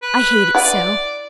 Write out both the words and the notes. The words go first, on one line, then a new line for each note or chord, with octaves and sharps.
I hate it so.
B4
E4 B4 D5 F#5